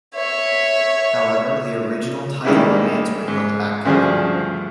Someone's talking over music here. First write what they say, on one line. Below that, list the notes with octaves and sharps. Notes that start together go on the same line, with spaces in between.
However, the original title remains written on the back cover.
C#5 E5
D#3 G3 G#3 A#3 D4 E4
G#2
D2 G2 C#3 F3 G#4 C5